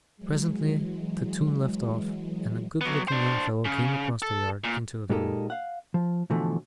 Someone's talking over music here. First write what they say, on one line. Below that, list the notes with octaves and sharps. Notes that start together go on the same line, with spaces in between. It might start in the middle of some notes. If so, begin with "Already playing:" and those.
Presently the tune left off, and a good-looking young fellow came across the yard into the room.
E3 F#3 G#3
F#3 B3
D4 C5
C#3
A4
A#2
A#2 G#3 A#3 D#4 G4 A4
F5 F#5
F3
B2 D3 E3 F3 A3